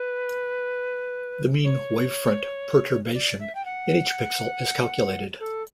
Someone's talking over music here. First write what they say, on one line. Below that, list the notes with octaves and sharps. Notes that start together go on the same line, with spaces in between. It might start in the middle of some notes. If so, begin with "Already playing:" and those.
The mean wavefront perturbation in each pixel is calculated.
Already playing: B4
C#5
D5
E5
G5
F#5
A4